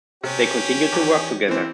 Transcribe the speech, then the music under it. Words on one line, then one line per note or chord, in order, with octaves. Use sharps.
They continue to work together.
C3 C#4 G4
E2 D6
E3 C4